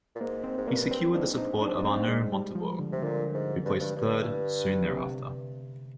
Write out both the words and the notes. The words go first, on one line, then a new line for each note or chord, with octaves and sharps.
He secured the support of Arnaud Montebourg, who placed third, soon thereafter.
A#2
G#2 A#3
C4
G#2
G2 A#3
C4
G#2 D4
D#4
D4
C4
G#3
G3
F3
D3
C3
A#2 D3
G#2
G2
G2
G2
C3